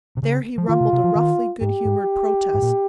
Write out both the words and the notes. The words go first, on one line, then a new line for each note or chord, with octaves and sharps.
There he rumbled a roughly good-humoured protest.
C3
C#3
F3
D#3 F4
C3
C3
F3
D#3
G#2 G4
G#2
G#2
A#2